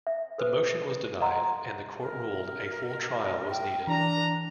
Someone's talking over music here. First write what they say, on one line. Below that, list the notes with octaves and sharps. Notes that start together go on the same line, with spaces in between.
The motion was denied, and the court ruled a full trial was needed.
E5
A4 B4 C5
D#5 F#5 A#5 C6
A#4
G5
E3 D4 A#5